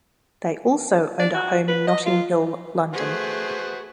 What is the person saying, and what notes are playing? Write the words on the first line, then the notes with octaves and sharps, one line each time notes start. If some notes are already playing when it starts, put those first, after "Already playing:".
They also owned a home in Notting Hill, London.
D5
F#4
B4
D#5
F4
A3 F#4 G#4 B4 C5